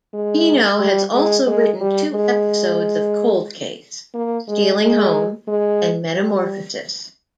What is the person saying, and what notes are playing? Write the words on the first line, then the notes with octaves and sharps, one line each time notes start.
Pino has also written two episodes of "Cold Case": "Stealing Home" and "Metamorphosis".
G#3
G3
G#3
G#3
G3
G#3
A#3
G#3
G#3
G#3
G3